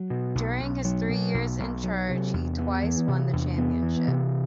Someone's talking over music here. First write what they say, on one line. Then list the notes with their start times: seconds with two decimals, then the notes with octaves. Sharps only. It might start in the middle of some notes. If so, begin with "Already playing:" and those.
During his three years in charge, he twice won the championship.
Already playing: F#3
0.10 B2
0.35 B1
0.60 B1
0.84 F#3
1.09 B2
1.34 B1
1.59 B1
1.83 F#3
2.09 C3
2.33 E2
2.58 B3
2.83 E3
3.08 C3
3.33 E2
3.58 B3
3.82 E3
4.07 C3